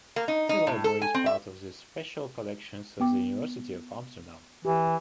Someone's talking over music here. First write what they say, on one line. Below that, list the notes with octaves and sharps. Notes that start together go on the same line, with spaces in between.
The library is part of the special collections of the University of Amsterdam.
A#3
D#4
D#4
A2
A4
G#5
C4
E5
B3 G5 D6
E3 G4